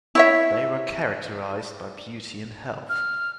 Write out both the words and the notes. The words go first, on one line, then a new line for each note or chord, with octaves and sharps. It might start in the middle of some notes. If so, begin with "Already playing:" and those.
They were characterized by beauty and health.
E4 C#5 E5
F6